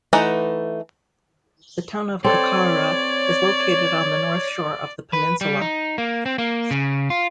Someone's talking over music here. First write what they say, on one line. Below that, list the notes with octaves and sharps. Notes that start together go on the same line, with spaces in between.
The town of Kaikoura is located on the north shore of the peninsula.
E3 A3 D#4 F#5 A#5
C4 A4 C#5 D5
B4
G3
D#4
A#3
C4
A#3
C#3
F4